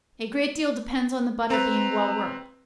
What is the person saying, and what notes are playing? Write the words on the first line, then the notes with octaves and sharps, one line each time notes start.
A great deal depends on the butter being well worked.
C4 B4 A#5